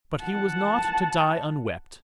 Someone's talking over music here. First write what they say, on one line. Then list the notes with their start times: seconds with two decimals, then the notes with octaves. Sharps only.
But he was not to die unwept.
0.20 F#5 A5